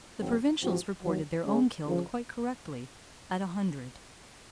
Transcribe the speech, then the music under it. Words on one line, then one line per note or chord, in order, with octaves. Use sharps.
The Provincials reported their own killed, quite correctly, at a hundred.
G#2 D#3 F#3 C4
G#2 F3 C4 F#4
D#2 D#3 F#3
C#3 G#3 C#4 G#4
C#2 C#3 F3